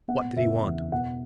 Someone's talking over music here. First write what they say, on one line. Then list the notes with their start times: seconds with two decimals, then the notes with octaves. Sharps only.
What did he want?
0.08 B3 F#5
0.36 C#3 E5
0.65 E2
0.92 B2 F#5